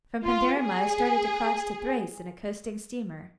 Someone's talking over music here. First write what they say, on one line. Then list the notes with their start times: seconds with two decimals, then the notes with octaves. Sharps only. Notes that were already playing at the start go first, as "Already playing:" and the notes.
From Panderma I started to cross to Thrace in a coasting steamer.
0.25 F4
0.62 G#4